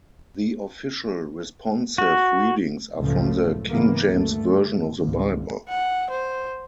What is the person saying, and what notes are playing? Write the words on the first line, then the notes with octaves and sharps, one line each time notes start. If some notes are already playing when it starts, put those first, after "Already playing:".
The official Responsive Readings are from the "King James Version of the Bible".
F#4
F#1 C#2 A2 C#3 F3 A3
G#2 C#3 E3 A#3 B3
D2 G2 A3
G#1 C#2
F#5
C5